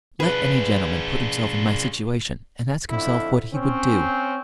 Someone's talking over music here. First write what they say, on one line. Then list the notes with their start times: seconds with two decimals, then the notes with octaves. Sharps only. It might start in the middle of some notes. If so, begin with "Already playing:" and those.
Let any gentleman put himself in my situation, and ask himself what he would do.
0.20 D4 G#4 B4
2.90 F2 D3 E4
3.52 C4 C#4